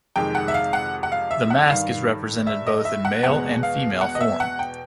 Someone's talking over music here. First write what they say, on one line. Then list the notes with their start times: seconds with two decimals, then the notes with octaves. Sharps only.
The mask is represented both in male and female form.
0.16 F2 C3 D#3 G#3 G5
0.35 F#5
0.48 E5
0.54 F5
0.73 F#5
1.03 F#5
1.12 F5
1.31 E5
1.50 F#5
1.70 G2 D#3 G3 F5
2.47 E5
2.67 D#5
2.85 E5
3.05 F#5
3.23 E2 B2 G#3 F#5
3.63 F5
4.01 F#5
4.15 D#5
4.21 E5
4.40 F#5
4.59 G5